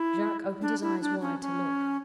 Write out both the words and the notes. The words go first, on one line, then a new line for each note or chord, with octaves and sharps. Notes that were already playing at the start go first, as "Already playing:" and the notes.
Jacques opened his eyes wide to look.
Already playing: E4
D4
E4
D4
C#4
C#4